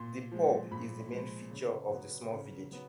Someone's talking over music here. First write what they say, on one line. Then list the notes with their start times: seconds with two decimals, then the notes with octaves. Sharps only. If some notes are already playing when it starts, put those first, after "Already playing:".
The pub is the main feature of the small village.
Already playing: A#2 C6
0.32 F3 G#3
0.71 A#2 B5
1.12 F3 G#3
1.51 C#3
1.91 F#3 B3
2.31 C#3
2.71 F#3 B3